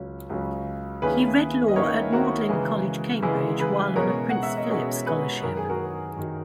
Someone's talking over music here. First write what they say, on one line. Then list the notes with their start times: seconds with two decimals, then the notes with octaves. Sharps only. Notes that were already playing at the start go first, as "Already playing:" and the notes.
He read law at Magdalene College, Cambridge while on a Prince Philip Scholarship.
Already playing: C#2 C#3 F#3 C#4
0.30 C#2 C#3 F#3 C#4
1.02 D#3 A#3 C#4 E4 G#4 B4
1.68 D#5
1.76 D#3 A#3 C#4 E4 A#4 C#5
2.13 F#4 A#4
2.49 C#3 E3 G#3
3.22 C#3 E3 G#3 E4 G#4
3.60 G#4 B4
3.96 B2 G#3 C#4 F#4 A#4 C#5
4.30 F#5
4.43 E5
4.57 D#5
4.69 B2 G#3 C#4 F#4 A#4 C#5
5.06 G#4 B4
5.43 F#2 D#3 F#3 A#4
5.57 G#4
5.70 F#4 A#4
6.16 F#2 D#3 F#3